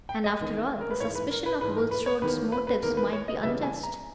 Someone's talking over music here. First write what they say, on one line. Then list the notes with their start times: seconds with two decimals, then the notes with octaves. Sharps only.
And after all, the suspicion of Bulstrode's motives might be unjust.
0.09 G5
0.24 D#5
0.40 E2 D#3 A#3
0.81 A#4
0.91 B4
1.00 G#2 E3 G#3 C#5
1.15 B4
1.31 A#4
1.46 B4
1.61 G#2 E3 G#3 B4
1.76 A#4
1.91 B4
2.06 C#5
2.22 E2 D#3 A#3 B4
2.52 B4
2.67 B4
2.83 E2 D#3 A#3 A#4
2.97 B4
3.13 C#5
3.28 D#5
3.43 E2 C#3 G3 B3 E5
3.63 G#5
3.83 A#5